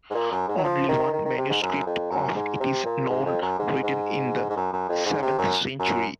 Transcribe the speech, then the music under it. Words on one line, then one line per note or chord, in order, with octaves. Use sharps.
Only one manuscript of it is known, written in the seventh century.
G#2
A#2
F#2
G#2
F#3
F3
D#3
D#3
D#3
C3
G#2
F#2
F2
F#2
G#2
C3
A#2
G#2
F2
F#2
G#2
G#2
G#2
F#2
F#2
F2
G#2
C3
F#2
F#2